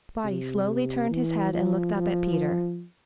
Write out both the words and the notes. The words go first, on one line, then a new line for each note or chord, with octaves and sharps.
Spotty slowly turned his head and looked up at Peter.
C3
E3
F3
F3